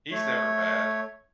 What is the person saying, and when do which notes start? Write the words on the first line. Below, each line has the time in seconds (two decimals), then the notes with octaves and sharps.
He's never bad,
0.12 A3 C#5